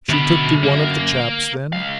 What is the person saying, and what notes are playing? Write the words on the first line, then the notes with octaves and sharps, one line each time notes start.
'She took to one of the chaps then?'
F#2 B2 D3 B5
A#3
C#2 F5